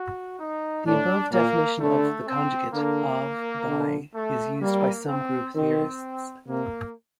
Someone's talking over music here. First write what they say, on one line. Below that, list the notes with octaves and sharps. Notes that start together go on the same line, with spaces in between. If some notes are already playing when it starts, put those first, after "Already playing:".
The above definition of the conjugate of by is used by some group theorists.
Already playing: F#4
D#4
A2 D4
A#2 A#3
D3 A3
C4
D3 A#3
D3
A3
G3 A#3
C4
D#3 C4
C3 A#3